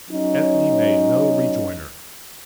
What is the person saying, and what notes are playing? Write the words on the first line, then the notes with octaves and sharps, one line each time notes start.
Ethne made no rejoinder.
F#3 C#4 D#4